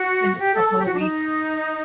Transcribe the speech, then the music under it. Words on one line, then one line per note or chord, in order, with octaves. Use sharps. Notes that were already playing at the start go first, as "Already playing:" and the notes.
in a couple of weeks.
Already playing: F#4
G4
A4
A4
G4
F#4
D4
D#4